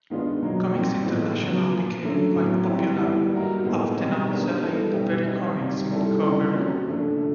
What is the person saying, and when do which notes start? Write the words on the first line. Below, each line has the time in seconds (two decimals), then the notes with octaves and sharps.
Comics International became quite popular, often outselling the very comics it covered.
0.10 D#3 G#3 B3 D4 F4
0.43 B2 F#3 A#3 D#4
0.74 A#2 G3 C4 D#4
1.06 A2 F3 G#3 B3 D#4
1.39 C#3 F#3 B3
1.71 A#2 F3 A#3
2.03 D3 F#3 A3 C#4
2.35 A2 F#3 B3
2.68 G3 C4 E4 G4
3.00 E3 G3 B3 E4
3.32 G3 A#3 D#4 F#4 A#4
3.64 A2 F3 G#3 B3
3.97 B2 G3 C4 D#4
4.29 G#3 B3 D4 G4 A#4
4.61 G3 B3 E4 A4
4.93 B2 G3 B3 E4 G4
5.25 G3 C4 D#4
5.57 C3 D#3 G3
5.90 D#3 G3 C4 E4 A4
6.21 C#3 E3 G3
6.55 C3 F3 A#3 C#4 F#4
6.86 F3 A3 D4
7.19 D3